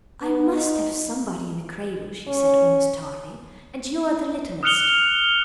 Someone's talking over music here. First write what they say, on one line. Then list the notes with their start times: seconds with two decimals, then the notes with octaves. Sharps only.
'I must have somebody in a cradle,' she said almost tartly, 'and you are the littlest.
0.21 B3
0.55 D#4
2.27 C#4
4.63 D#6 F6 F#6 C#7 F7 G7